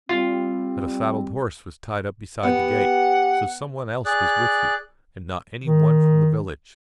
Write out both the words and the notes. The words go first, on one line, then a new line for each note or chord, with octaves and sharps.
But a saddled horse was tied up beside the gate. So some one else was with you, and not any one from the village.
G3 C4 F4
B3 G4 F#5
G#4 D5 F#6
D#3